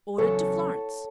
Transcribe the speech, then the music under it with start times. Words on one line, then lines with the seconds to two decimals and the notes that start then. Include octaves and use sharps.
Ordered to Florence.
0.18 E2 C#3 F#3 A4 C#5